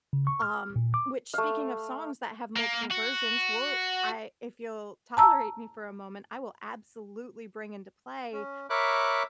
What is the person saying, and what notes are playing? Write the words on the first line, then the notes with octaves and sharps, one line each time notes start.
um, which speaking of songs that have multiple versions, well, I if you'll tolerate me for a moment, I will absolutely bring into play,
C#3
C#6
F6
A#2
D6
A3 F5
A#3
F#4
A5 A#5 E6
C#4
A#4 C#5 E5 B5 D6 F#6